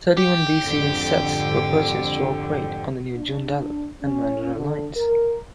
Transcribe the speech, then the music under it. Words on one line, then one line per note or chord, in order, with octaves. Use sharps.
Thirty-one B-series sets were purchased to operate on the new Joondalup and Mandurah lines.
G4
F2 G#2 D3
D4
C#4
D3
A#4